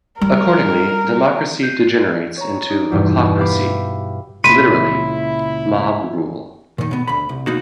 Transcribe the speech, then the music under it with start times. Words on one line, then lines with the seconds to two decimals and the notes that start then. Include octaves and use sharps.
Accordingly, democracy degenerates into "ochlocracy", literally, "mob-rule".
0.21 G3 A#4
1.63 F#6 G6 B6 C7 D7 D#7
2.37 C#5 A#5
2.66 D#4 D7
2.92 E2 G2 B2
3.37 G4 E5 F5 B5 D6
4.44 C#2 A#2 C#3 E4 B5 C6 B6 D#7
6.78 A#2 D#3
6.91 B2 B3
7.07 D2 B5
7.29 C2
7.47 B2 A#3 D#4 F#4